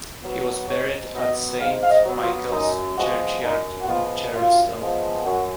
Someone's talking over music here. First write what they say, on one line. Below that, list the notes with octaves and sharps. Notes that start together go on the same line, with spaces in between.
He was buried at Saint Michael's Churchyard in Charleston.
F#3 B3
G#2 C#5
F#3 B3 D#5
G#2 F5
F5
D#5
F#3 B3
F4
F#2 D#4
F3 G#3 B3 F#4
F#2 D#4
F#4
F3 G#3 B3 F4
F#2 F4
F3 G#3 B3
F#2 F#4